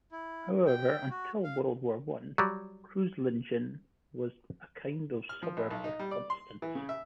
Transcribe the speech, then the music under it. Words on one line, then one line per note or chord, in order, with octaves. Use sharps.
However, until World War One, Kreuzlingen was a kind of suburb of Constance.
E4
G5
F#4
F5
F#3 G3
F6
F3
A#1
B1
D#4
G3
D5
C6
E3
C#3
E5